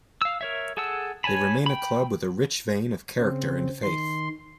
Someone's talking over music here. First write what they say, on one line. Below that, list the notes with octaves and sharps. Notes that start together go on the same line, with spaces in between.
They remain a club with a rich vein of character and faith.
F5 E6
A#4 C#5 E5
G#4 A4 F#5 A5 E6
C#5 G#5 A5 B5
G5 B5
C#3 C4
D#3 C6